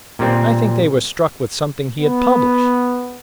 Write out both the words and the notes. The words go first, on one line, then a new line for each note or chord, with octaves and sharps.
"I think they were struck with something he had published."
A#2 G3 C4
B3